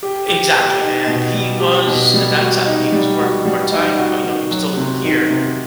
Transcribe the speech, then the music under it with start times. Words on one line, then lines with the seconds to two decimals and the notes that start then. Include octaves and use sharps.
Exactly, and he was at that time, he was working part-time. Y oh, no, he was still living here,
0.03 G4
0.28 G4
0.55 G4
0.81 D#4
1.07 B2
1.34 G3
1.60 G4
1.87 B2
2.14 G3
2.40 F#4
2.66 D#4
2.92 G3
3.20 F#4
3.45 G3
3.72 D#4
3.98 F#4
4.24 D#3
4.51 F#3
4.77 C3
5.04 D#3
5.30 C3